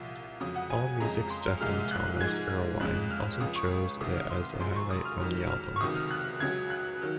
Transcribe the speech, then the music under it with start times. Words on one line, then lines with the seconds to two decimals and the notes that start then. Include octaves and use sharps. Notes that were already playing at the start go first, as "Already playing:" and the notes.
Allmusic's Stephen Thomas Erlewine also chose it as a highlight from the album.
Already playing: C2 A#2 F3
0.40 F2 C#3 F#3 D#6
0.56 F#5
0.70 G#5
1.00 F2 C#3 G#3 A#5
1.30 C6
1.46 F6
1.61 C2 A#2 F3 G#3 F6
1.91 F#6
2.21 G#2 F3 G#3 G#6
2.80 F2 C#3 G#3 F#6
3.11 F6
3.40 C#2 C#3 F3 D#6
3.56 C#6
4.01 C2 C3 D#3 D#6
4.16 F6
4.30 C6
4.60 F#2 F3 G#3 C6
4.76 C#6
4.91 D#6
5.05 F6
5.20 F2 D#3 F#3 F6
5.50 F6
5.76 C#6
5.81 C#2 C3 D#3 F#3 D#6
5.95 F6
6.11 F#6
6.40 C#2 C#3 F#3 G#6
6.70 F#6
7.02 D#3 F#3